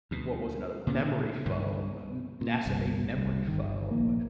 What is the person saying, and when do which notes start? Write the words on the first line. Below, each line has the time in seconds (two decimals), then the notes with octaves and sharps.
what was another one? Memory foam, m NASA made memory foam.
0.11 D2 B2
0.87 A#2 C#3 B3
1.46 C2 G2 D3
2.41 A#2
2.65 G1 C2
3.17 C2
3.48 G1 D#3
3.91 A#1 A#3